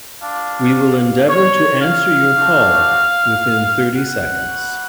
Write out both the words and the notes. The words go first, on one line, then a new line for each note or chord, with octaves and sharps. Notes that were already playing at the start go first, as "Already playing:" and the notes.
We will endeavour to answer your call within thirty seconds.
A3 D4 F4 F5
C#5
F5
A3 D4 F#4
F#5
B3 F#4